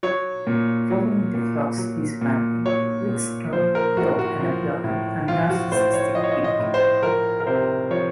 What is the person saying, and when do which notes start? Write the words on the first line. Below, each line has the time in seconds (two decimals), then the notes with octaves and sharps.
Following The Flock's disbanding, Riggs turned heel and adopted a narcissistic gimmick.
0.03 F#3 C#5
0.47 A#2
0.90 F#3
1.34 A#2
1.78 F#3
2.21 A#2
2.66 F#3 C#5
3.09 A#2
3.53 F3 C5
3.75 A#4
3.97 A2 F#4
4.19 F#4
4.40 F3
4.84 A2
5.28 F3 F4
5.50 F#4
5.72 A2 C5
5.94 C#5
6.15 F3 D#5
6.24 C#5
6.32 D#5
6.44 D#5
6.59 A2
6.74 C5
7.03 F3 A#4
7.40 A#4
7.47 C3 C5
7.90 F3 C#5